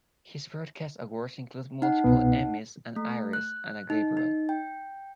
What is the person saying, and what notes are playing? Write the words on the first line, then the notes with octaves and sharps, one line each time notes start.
His broadcast awards include multiple Emmys, an Iris, and a Gabriel.
D#4 F#5
C2 B2 B3
A3
F#6
D#4
D#4
G5